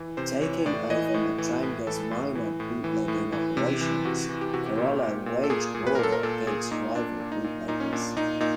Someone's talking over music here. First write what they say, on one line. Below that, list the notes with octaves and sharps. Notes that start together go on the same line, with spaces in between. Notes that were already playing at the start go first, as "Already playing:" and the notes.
Taking over Matranga's minor bootlegging operations, Carollo waged war against rival bootleggers.
Already playing: E3
C3 C5
E3 C#5
A2 D5
E3 D#5
A2
E3
A2
E3 A4
A2
E3
A2
E3
A2
E3
C3
E3
C3 F#4
E3
G4
C3 F#4
G4
A#2
A#2
A#2
A4
A#2 G#4
A#2
B4
A#4
A#2 A4
A#4
A#2 A4
A#2 G#4
A#2 D#4
A#2 D4
A#2
D#4
A#2
A#2 D#4
C#4
A#2 D4
A#2 D#4
A#2 D#4